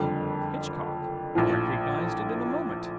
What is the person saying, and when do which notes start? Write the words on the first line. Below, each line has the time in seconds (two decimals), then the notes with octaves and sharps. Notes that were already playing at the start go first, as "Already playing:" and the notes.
Hitchcock recognized it in a moment.
Already playing: F#1 F2 D3 G3
1.35 A#1 A2 F3